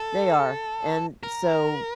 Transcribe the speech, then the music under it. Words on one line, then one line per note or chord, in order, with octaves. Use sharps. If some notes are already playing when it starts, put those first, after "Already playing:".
They are, and so,
Already playing: A4
A#4